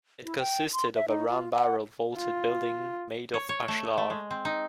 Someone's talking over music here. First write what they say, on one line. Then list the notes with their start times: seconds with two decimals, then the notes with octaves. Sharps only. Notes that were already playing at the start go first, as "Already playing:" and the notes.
It consisted of a round barrel-vaulted building made of ashlar.
0.25 E4
0.39 G5
0.73 C6
0.95 E5
1.08 D#4
1.29 F4
1.54 F#5
2.16 F4
3.34 C#5
3.49 C#5
3.68 A3
3.98 A3
4.10 G#3
4.31 C4
4.45 D#4